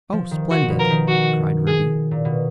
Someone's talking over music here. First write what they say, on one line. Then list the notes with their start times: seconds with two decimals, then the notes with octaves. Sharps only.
"Oh, splendid," cried Ruby.
0.13 F3
0.31 D#3
0.51 F3 F#4
0.70 B2
0.79 A#4
0.90 D#3
1.09 F#4
1.67 G#4
2.11 A#2
2.25 B2